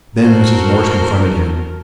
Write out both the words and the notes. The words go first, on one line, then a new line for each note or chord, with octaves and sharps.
Then Mrs. Morse confronted him.
F#4 A4 A#4 C5